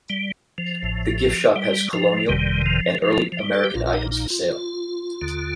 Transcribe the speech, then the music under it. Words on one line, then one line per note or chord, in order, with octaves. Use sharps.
The gift shop has colonial and early American items for sale.
G3
F3
A1 A2
G3
F3
G1 F2 C3 D#3 G3
F3
F3
F3
G3
A4
G4
A#1 A#2 F4
F4
D#4
D#4
F4
D#2 D3